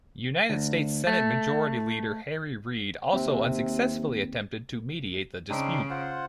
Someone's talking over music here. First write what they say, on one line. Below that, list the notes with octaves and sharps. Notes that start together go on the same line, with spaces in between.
United States Senate Majority Leader Harry Reid also unsuccessfully attempted to mediate the dispute.
D2
A3
D#2 C3 C4
C#3 C4 D4 D#4
F4 C5 F#5